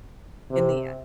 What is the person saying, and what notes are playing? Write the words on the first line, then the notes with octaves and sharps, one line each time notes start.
in the end.
C3